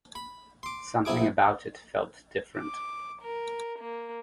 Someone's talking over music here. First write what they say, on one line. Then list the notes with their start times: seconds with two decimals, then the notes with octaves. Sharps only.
Something about it felt different.
0.15 B5
0.63 C6 D6
1.05 A#1 C3 E4 G#4 D6
2.58 D6
3.23 A#4
3.79 A#3